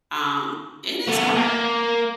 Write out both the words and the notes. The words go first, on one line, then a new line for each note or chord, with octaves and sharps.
um, it is hard.
A3 B3
A#3